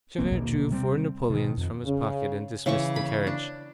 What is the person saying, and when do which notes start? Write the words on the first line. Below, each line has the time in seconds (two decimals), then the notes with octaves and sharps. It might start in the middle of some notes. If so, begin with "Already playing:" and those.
Javert drew four napoleons from his pocket and dismissed the carriage.
0.18 D1 C2 A#3 C4
0.31 A#1 D#2 B2 A#3
0.70 C3 G3 B3 C4
1.30 B2 D#3
1.57 F2
1.85 C#3
2.66 C#3 E3 C#5 C#6
2.96 B5
3.27 D4